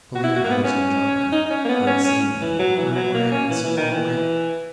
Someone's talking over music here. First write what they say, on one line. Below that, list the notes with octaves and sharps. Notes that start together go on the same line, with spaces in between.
Polina Alexandrovna, on seeing me, inquired why I had been so long away.
F#4
E4
F#4
A#3
B3
C#4
D#4
D#4
C#4
A#3
B3
C#4
C#4
E3
F#3
E3
E3
F#3
A#3
C#4
E3
E3
D#3
E3